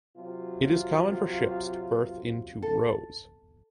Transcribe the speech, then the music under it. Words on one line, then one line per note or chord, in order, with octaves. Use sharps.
It is common for ships to berth in two rows.
C3 F#3 F4
A4